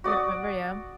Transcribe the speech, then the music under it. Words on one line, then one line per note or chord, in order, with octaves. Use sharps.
You don't remember, yeah?
F#4 D5 F#5 D#6